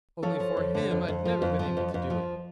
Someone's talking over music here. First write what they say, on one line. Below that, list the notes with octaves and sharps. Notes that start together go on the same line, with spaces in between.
Only for him, I'd never been able to do it.
F3 A4 C#5
F3
F2
D3
F2
F2
F3
F2
F3
F2
F2
F3